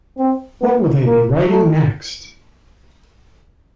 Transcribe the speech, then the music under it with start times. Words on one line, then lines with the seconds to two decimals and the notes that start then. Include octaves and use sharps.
What will they be writing next?
0.18 C4
0.62 B3
1.05 A#3
1.49 A3